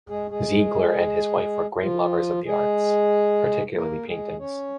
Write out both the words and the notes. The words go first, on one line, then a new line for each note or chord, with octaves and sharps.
Ziegler and his wife were great lovers of the arts, particularly paintings.
G#3 G#4
G#3 G#4
F3 F4
G#3 G#4
A#3 A#4
G#3 G#4
C#4 C#5